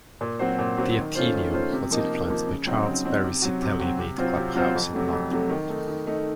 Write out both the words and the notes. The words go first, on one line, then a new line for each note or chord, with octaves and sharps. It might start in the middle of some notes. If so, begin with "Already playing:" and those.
The Athenaeum was influenced by Charles Barry's Italianate club house in London.
A#2
F#3 C4 F#4 C5
A#2
F#3 C4 F#4 C5
D#3
A3 C#4 F4 C5
D#3
A3 C#4 F4 C5
C3
F3 A#3 D#4
C3
F3 A#3 D#4
C#3
F#3 C4 D#4
C#3
F#3 C4 D#4
C3
F#3 C4 F#4
C3
F#3 C4 F#4
C3
F#3 C4 F4 C5
C3
F#3 C4 F4 C5
F2
C3 F#3 A3
F2
C3 F#3 A3
D#3
A3 D#4
D#3
A3 D#4